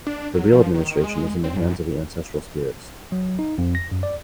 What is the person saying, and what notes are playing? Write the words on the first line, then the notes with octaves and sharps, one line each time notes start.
The real administration is in the hands of the ancestral spirits.
D4
F#3
F3
D#3
G#3
C4
F#2
F#3
D#4
F2
A#6
F#2
D5